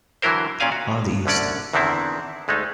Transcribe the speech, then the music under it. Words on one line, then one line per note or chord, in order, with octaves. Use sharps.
On the East.
D3 E3 F#3 E4 A#4 C5
A#2 C#4 D5 F5 G#5
F#4
C2 D3 C#4 D5
E2 D3 D#3 C4 E4
D2 G#3 A3 D#4